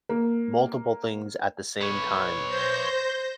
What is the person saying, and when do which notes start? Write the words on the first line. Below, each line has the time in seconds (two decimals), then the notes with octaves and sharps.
multiple things at the same time,
0.09 A#3
1.81 B4 C#5
2.45 C5 G6 A#6